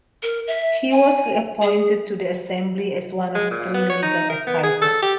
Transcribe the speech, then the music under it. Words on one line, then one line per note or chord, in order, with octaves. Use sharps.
He was reappointed to the Assembly as one of three Legal Advisors.
A#4
E5
G#5
G#4
G#3
A#2
B3
C#5
D#4
A#4
B3
G#4
A4
G4